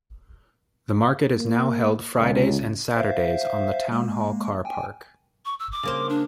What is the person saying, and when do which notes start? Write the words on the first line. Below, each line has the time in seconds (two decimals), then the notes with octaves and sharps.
The market is now held Fridays and Saturdays on the town hall car park.
1.37 A#3
2.18 C#2
2.96 C5 E5 F5
3.92 G#3 A#3
4.65 G5 G#5
5.45 C#6
5.60 E6
5.72 D6
5.83 C#3 A#3 C5
6.09 D4